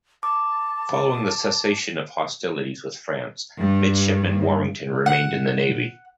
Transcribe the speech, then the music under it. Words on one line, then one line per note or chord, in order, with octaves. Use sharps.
Following the cessation of hostilities with France, Midshipman Warrington remained in the Navy.
A5 D6
G2
F#5